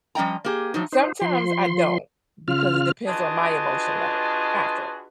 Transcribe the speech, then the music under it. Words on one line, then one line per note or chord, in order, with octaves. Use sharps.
Sometimes I don't, because it depends on my emotion level after
F3 G3 C#4 D#5 G5 A#5
A#3 G4 G#4
A2 F3 F#3 D#4
D#4 C5
F3 C6
C#3 F4 F6
D4 F4 F#4 G#4 B4 D#5